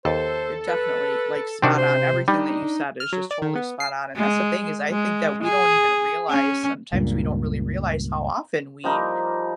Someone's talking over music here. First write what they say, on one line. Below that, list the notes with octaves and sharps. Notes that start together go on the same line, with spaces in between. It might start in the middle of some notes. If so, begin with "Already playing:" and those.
it definitely, like, spot-on, everything that you said is just totally spot-on, and that's the thing is, I think that we don't even realize sometimes we don't really realize how often we
D#2 A4 C5
B4
C3 D#3 C4 D4 F#4
C5
G3 D4 D#4
F6
F#3
D5
D#3
B3
C7
G#3
G#3
G#4
C#4
C#2 G2 A#2
F3 G3 D#4 A#4